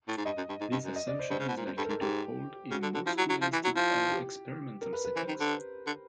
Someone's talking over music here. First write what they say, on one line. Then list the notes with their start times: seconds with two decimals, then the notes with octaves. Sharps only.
This assumption is likely to hold in most realistic or experimental settings.
0.08 A2
0.17 G#2
0.25 G2 D#5
0.37 F#2
0.49 G2
0.60 G#2
0.72 G2
0.84 F#2
0.96 D#5
1.07 D5
1.19 C5
1.30 G2 C5
1.39 C#3
1.48 B2
1.57 A#2
1.66 F#2
1.77 G2 A4
1.85 A#4
1.89 G#2 A4
2.00 G#2 G4
2.71 C#3 F#4
2.82 D3
2.94 D3
3.06 F3 E4
3.18 F#3
3.29 F#3
3.41 F3
3.53 E3
3.64 F#3 E4
3.76 F3 F4
4.11 G4
4.81 A#4
4.93 B4
5.05 B4
5.16 E3 C5
5.28 D#3
5.40 D3
5.87 D3